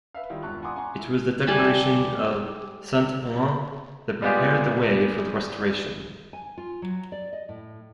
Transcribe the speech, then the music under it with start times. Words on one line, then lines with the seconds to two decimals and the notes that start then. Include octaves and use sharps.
It was the Declaration of Saint-Ouen that prepared the way for the Restoration.
0.15 B4 E5 F5
0.30 D#3 G3 E4 F4
0.43 E1 G2 F4 A5 C#6 F#6
0.62 F#5 G#5 A#5 C6 D6 D#6
0.75 F#5 G#5 A#5 C6 C#6
0.98 E4
1.47 G3 G#5 A5 B5
4.22 G3 G#3 B3 F4 G4 G#4
6.33 G#5
6.58 F4
6.82 F#3
7.12 D5
7.33 D#5
7.49 A2